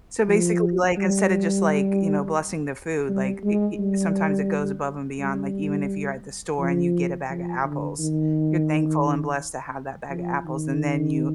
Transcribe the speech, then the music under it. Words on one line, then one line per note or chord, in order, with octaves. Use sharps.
So basically, like, instead of just, like, you know, blessing the food, like, it it sometimes it goes above and beyond, like, even if you're at the store and you get a bag of apples, you're thankful and blessed to have that bag of apples, and then you,
F3
G3
G3
G#3
G3
G3
F3
F3
D3
D#3
F3
D#3